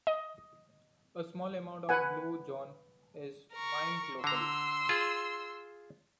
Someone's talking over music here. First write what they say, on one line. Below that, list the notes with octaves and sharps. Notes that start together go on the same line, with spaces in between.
A small amount of Blue John is mined locally.
D#5
B4 F#5 G#5
A#4 C#6
D3 A#5 C6 E6
F4 G#4